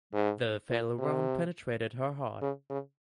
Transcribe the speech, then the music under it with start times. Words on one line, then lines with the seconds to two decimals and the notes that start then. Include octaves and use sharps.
The fatal wound penetrated her heart.
0.14 G#2
0.70 A#2
0.99 C3
2.42 C#3
2.70 C#3